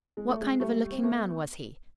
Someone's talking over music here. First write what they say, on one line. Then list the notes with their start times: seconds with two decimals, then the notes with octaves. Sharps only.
"What kind of a looking man was he?"
0.17 G#3
0.29 A3
0.41 G#3
0.60 G3 A3
0.91 C4
1.03 A3 B3